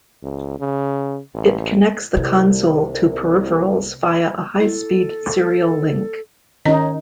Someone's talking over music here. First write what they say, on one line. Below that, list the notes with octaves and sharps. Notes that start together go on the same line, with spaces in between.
It connects the console to peripherals via a high-speed serial link.
C#2
C#3
A1
C2 C3
E4 A4
D#3 C#4 D#4 C#5 D#5